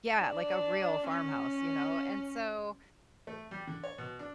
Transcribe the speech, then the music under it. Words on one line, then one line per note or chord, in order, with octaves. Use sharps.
Yeah, like, a real farmhouse, you know, and so
D4
C#4
A3
G3
D3
C#5
B2
D4